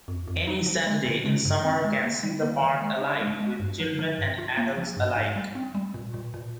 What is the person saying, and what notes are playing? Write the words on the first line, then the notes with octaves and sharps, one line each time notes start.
Any Saturday in summer can see the park alive with children and adults alike.
F2
F2
D#4
F3
G#3
C3
G#3
G2
C4
G#3
A#3
G3
A#3
D#3
G#3
D4
G#3
G#3
G2
F3
F3
G2
F4
A#3
F3
G2
G#2
G3
C4
G3
A#2
A#2
A#2